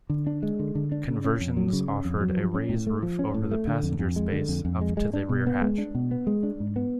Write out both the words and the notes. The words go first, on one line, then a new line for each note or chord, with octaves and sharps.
Conversions offered a raised roof over the passenger space up to the rear hatch.
D3
D4
G#3
D3
D3
D4
C#3
C#4
F2
F#3
C#3
C#4
F2
F#3
F3
C#4
A2
A3
F3
C#4
A2
A3
D3
F2
F2
G#3
D3
F2
F2
G#3
G#3
D4
B2
B3
G#3
D4
B2
B3
G#3
D4
G#2
B3